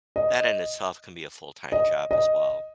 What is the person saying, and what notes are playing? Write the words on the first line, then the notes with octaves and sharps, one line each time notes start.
that in itself can be a full-time job as well.
D#5
D#5
D#5